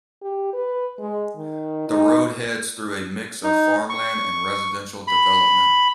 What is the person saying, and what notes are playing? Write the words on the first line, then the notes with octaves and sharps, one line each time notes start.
The road heads through a mix of farmland and residential development.
G4
B4
G#3
D#3
D#4
D#4
C#6
B5